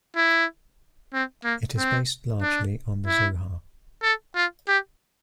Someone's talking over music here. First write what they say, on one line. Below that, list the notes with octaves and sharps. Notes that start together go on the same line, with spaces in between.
It is based largely on the Zohar.
E4
C4
A#3
C4
D4
E4
A4
F4
G4